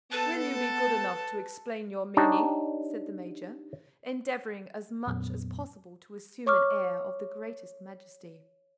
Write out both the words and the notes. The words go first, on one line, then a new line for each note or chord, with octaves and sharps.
"Will you be good enough to explain your meaning?" said the major, endeavoring as much as possible to assume an air of the greatest majesty.
B3 A4 B4 A5
D4 D#4 G4 C#5
F2 A#2 F#3 B3
C#5 C#6 D6 F6